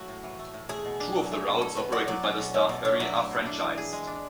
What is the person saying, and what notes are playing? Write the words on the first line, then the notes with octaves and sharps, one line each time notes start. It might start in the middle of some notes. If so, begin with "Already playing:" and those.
Two of the routes operated by the Star Ferry are franchised.
Already playing: F#3 A3 E4 F#4
A2
E3
A3
A2
A3 G#4
B2
D4
F#3
A3
B2
C#4 A4
B2 B4
F#4 D5
F#3 D5
C#4
B2
A3 C#5
B2 D5
D4 C#5
F#3 E4
A3
B2
D4
E3
G#4
G#3
D4